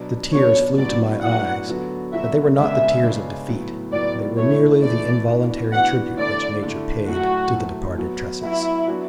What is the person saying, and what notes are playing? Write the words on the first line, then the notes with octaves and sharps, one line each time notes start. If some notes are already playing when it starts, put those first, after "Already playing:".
The tears flew to my eyes, but they were not the tears of defeat; they were merely the involuntary tribute which nature paid to the departed tresses.
Already playing: B2 F#3 B3 D4
B2 F#3 B3 D4 C#5
A2 F#3 B3 D4 F#4 D5
A2 F#3 B3 D4 F#4 F#5
D3 F#3 B3 F#4
D3 F#3 B3 F#4 E5
C#3 G#3 B3 D4 E5
C#3 G#3 B3 D4
A2 F#3 B3
A2 F#3 B3 D5
E3 A3 E4 C#5
E3 A3 E4 D5
E3 B3 D4 F#4
E3 B3 D4 F#4 F#5
D3 A3 E4 D5
D3 A3 E4
A2 F#3 A3 F#4
A2 F#3 A3
F#3 B3 F#4
F#3 B3 E4 F#4
F#3 B3 D4 F#4